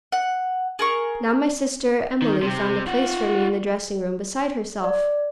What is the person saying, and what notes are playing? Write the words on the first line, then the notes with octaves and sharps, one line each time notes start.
Now my sister Emilie found a place for me in the dressing-room, beside herself.
F#5
G#4 A#4 C#6
D#3
C3 C4
F4 F#5
D5